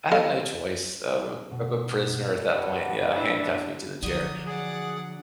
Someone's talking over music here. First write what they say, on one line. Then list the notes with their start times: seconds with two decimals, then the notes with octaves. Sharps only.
I have no choice of of a prisoner at that point, yeah, handcuffed me to the chair.
0.12 A4 D#5 F5
1.51 B2
2.52 G2 F#5
3.16 D4 E4 D5
4.03 D3 F3 F#3 D#6
4.46 G#4 D5 F#5